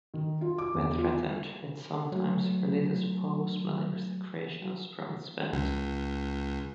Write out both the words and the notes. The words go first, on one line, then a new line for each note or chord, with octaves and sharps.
When threatened, it sometimes releases foul smelling secretions from its vent.
D#3
F4
D6
E2
F4
F#3 A3
C#2